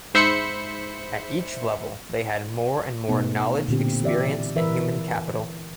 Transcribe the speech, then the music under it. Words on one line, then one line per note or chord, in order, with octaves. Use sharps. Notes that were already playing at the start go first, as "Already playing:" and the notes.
At each level they had more and more knowledge experience and human capital.
G#2 C5 E5 B5 C#7
B2 A3 B3 D#4
A#2 D3 C4 G4
E3 G4 D5 E5
E3 A#4 B4 E5